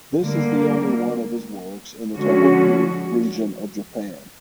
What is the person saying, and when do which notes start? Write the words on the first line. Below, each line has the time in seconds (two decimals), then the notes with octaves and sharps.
This is the only one of his works in the Tohoku region of Japan.
0.21 D3 G3 A#3
2.15 D3 F3 G#3 C#4 F#4